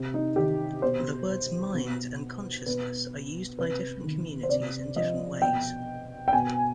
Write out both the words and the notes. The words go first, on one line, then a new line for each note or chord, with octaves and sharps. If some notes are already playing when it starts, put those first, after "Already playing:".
The words "mind" and "consciousness" are used by different communities in different ways.
Already playing: C3
D#4
D#3 G4
B2 C5
B2
B2 B4
C3 B4
D#3
C5
C3 D5
F3 D#5
B2 G5
G5
B2 G#5